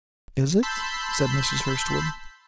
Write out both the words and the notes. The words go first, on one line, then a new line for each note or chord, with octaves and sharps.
"Is it?" said Mrs. Hurstwood.
A5 B5 C6 E6 G6 B6